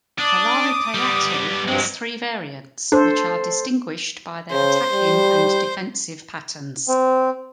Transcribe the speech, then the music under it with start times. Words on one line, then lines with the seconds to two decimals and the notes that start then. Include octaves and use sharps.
Kalaripayattu has three variants, which are distinguished by their attacking and defensive patterns.
0.18 D4 D6 D#6
0.95 G3 B3
1.68 G2 F#3 G#3 C4
2.92 D4 A4 C5
4.52 C#3 C5
4.92 G3
6.88 C4